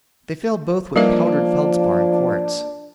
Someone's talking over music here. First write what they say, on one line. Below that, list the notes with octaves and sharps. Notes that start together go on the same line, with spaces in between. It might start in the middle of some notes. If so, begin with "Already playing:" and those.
They failed both with powdered felspar and quartz.
F3 G3 A#3 D4 B4 E5